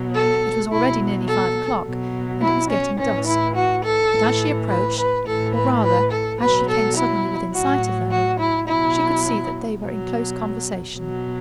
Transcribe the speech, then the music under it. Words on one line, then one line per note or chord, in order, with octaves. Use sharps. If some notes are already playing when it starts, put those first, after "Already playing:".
It was already nearly five o'clock, and it was getting dusk; but as she approached, or rather as she came suddenly within sight of them, she could see that they were in close conversation.
Already playing: B2 F#3
A4
B2 F#3 E4
A4
B2 F#3
E4
C#4
A2 E3 C#4
E4
F#4
A4
A2 E3
B4
B4
A2 E3 A4
B4
B4
A4
B2 F#3 B4
A4
E4
A2 F#3 F#4
F#4
E4
B2 F#3 E4
B2 F#3
B2 F#3